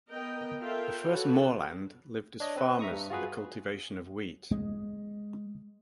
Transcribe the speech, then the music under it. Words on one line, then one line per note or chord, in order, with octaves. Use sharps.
The first Moorland lived as farmers of the cultivation of wheat.
B3 A#4 D#5 G5
F4 A4 A#4 E5 F5 G5
F#4 A4 B4 C#5
D4 C#5 D#5
C4 B4
E5 A#5 C#6 D#6
G2
F4 F#4 G#4 B4
G#3